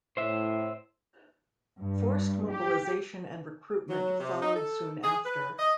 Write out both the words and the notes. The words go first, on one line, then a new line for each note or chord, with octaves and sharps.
Forced mobilization and recruitment followed soon after.
A2 C5 E5
G2
G4
F#3
C3
D#4
A4
G#4
B4
D#5